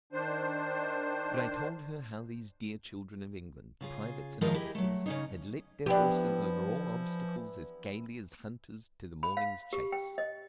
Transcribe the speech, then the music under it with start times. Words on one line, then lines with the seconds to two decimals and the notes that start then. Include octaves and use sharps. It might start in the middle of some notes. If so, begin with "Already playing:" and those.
But I told her how these dear children of England, privates and officers, had leaped their horses over all obstacles as gaily as hunters to the morning's chase.
0.13 D#3 D4 C5
3.81 C#3 F4 G#4
4.41 D#3 F3 G#3 E4 F4 A#4
4.54 E4 G4 G#4 D#5
4.75 F#3 A3
5.06 C#3 C#4 D#4
5.86 E3 F3 B3 D4 E4 G4
9.23 B5
9.37 F5
9.73 G4
9.92 G5
10.18 D#5